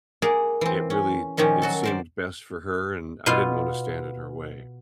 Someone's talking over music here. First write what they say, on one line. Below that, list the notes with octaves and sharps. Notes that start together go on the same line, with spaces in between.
it really it seemed best for her, and I didn't wanna stand in her way.
A#3 G#4 A#4 D5 F#5
E3 C4
C#4
A#2 D#3 F3 C#4 G4
F#3 F#4 A4
A#4 C5 D5
B2 B3 F4 F5